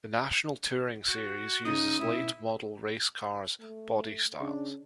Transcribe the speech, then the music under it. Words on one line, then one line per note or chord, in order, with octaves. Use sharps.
The national touring series uses late model racecars body styles.
F#4
C#3 D#4 D#6
B2 E4
A3
C#3 D4